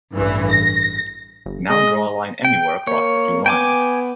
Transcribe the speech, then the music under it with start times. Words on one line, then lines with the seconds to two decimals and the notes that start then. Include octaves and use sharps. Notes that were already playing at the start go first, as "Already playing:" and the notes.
Now draw a line anywhere across the two lines.
0.13 A1 G2 E3
0.47 A#6
1.46 G1
1.70 G#3 D#5
2.45 G5
2.87 A#3 C#5
3.46 B3 G5 G#5 D6